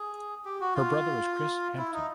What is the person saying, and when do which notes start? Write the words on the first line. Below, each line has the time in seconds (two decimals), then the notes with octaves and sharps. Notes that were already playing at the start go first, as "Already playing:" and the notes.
Her Brother is Chris Hampton.
Already playing: G#4
0.45 G4
0.60 F#4
0.75 F4
1.78 E4
1.93 D#4